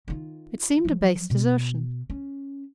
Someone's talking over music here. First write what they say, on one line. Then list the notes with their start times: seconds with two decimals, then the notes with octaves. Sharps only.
It seemed a base desertion.
0.08 D#3 F4
0.85 F3 F#3
1.30 B2
2.10 C#4